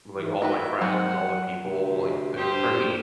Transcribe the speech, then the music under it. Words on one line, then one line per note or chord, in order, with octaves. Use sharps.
like all my friends, all the people, like th for me
G#2 E3
D#3 F#4 B4 E5
D#3 F#3 G#3 C4 F#5
D2 C3
G2 D4 G4 C5